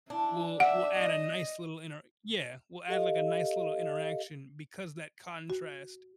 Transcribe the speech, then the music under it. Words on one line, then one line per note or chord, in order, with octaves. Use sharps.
will will add a nice little inter Yeah. Will add, like, a nice little interaction because that contrast
D4 E4
E5 F#5
D#5
G4 A4 D#5 F5
F#4